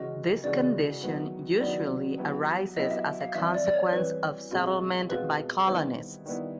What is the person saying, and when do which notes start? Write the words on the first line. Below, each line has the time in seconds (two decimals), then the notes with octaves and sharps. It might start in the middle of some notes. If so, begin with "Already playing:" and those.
This condition usually arises as a consequence of settlement by colonists.
Already playing: C#3 E3 G#3 C#4 F#4 D#5
0.44 C#3 E3 G#3 C#4 F#4 D5
1.02 D#3 F#3 B3 E4
1.60 D#3 F#3 B3 E4 D5
2.18 F#3 B3 E4 G4
2.76 F#3 B3 E4 G4 D#5
2.91 E5
3.21 F5
3.35 E3 G3 C4 E5
3.54 D5
3.67 D5
3.74 C#5
3.93 E3 G3 C4 B4
4.51 B2 G#3 C4 F4
5.09 B2 G#3 C4 F4 B4
5.68 D#3 G3 B3 E4 C5
6.26 D#3 G3 B3 E4